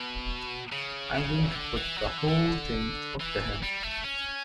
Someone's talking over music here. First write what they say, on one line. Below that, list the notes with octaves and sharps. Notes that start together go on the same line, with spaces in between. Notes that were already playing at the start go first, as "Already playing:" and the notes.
I'm going to put the whole thing up to him.
Already playing: B2
C#3
C#3
E3
D3
E3
F#3
E3
D3
D3
E3
G3
A3
C#4